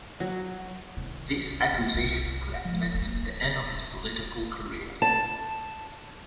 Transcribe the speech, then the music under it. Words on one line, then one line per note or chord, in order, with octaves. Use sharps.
This accusation could have meant the end of his political career.
F#3
C2 D#3
C4
C2
F3
F#3 A#3
A5